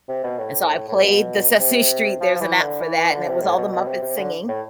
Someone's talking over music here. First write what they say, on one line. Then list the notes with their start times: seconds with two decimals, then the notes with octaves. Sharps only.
And, so I played the Sesame Street, There's an App for That, and it was all the Muppets singing
0.09 C3
0.24 B2
0.39 A2
0.88 A2
1.00 B2
1.60 C3
2.21 F3
2.36 F3
2.40 E3
2.61 D3
2.81 E3
2.97 E3
3.11 D3
3.27 C3
3.42 A2
3.57 B2
3.72 B2
3.87 C3
4.02 C3
4.17 D3
4.48 A2